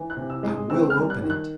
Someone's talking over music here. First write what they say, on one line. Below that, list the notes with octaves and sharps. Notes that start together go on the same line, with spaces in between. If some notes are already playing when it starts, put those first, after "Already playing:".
I will open it!
Already playing: E3
F#6
C3
E6
G#3
D#6
C4 E6
F6
G3
F#6
D#3
F#6